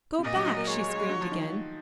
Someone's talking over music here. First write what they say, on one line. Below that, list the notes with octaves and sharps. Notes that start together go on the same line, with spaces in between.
"Go back!" she screamed again.
C3
A#2 D#5
F#3
F#3
A#3
G#3 C#5
G#3
G#3
G#3
F#3
F3
D#3